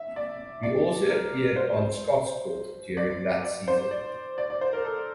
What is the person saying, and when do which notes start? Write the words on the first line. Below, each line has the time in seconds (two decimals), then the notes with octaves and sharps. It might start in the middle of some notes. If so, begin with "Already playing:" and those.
He also appeared on "Scotsport" during that season.
Already playing: E5
0.16 D5
0.63 D5
1.10 A#4
1.56 C5
2.97 D5
3.44 D5
3.68 C5
3.91 D5
4.38 D5
4.50 D5
4.61 C5
4.73 A#4
4.85 A4